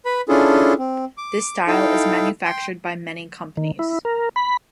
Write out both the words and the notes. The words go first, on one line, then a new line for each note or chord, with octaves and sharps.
This style is manufactured by many companies.
B4 B5
C#4 D4 E4 F4 G#4 A4
C4
D6
D#4 E4 A4 F5 G5
G5 C6
D#3
E4
A#4
B5